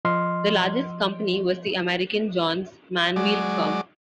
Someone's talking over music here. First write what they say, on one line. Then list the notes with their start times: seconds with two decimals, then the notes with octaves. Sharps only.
The largest company was the American Johns-Manville firm.
0.05 F3 D#5 C6 F6
3.16 F#3 G#3 D5